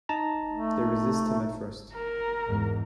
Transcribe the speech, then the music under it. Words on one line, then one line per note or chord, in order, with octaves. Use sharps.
They resist him at first.
D#4 A5 A#5
A3
A#4
E2 G#2